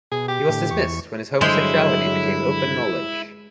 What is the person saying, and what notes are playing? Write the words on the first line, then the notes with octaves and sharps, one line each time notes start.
He was dismissed when his homosexuality became open knowledge.
B2 G#4
G4
A2 D3
E2 C#6
G2 D3 F#3 G#3 E4 C5